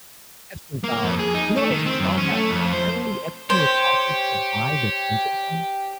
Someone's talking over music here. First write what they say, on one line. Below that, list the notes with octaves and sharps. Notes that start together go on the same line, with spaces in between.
Epstein files you know what I just saw that apparently Epstein was offered to buy the Pentagon?
A#3
F2
G#4
D#4
A3
D#3
C4
F#2
C#4
A3
F2
C5
G4 C5 C#5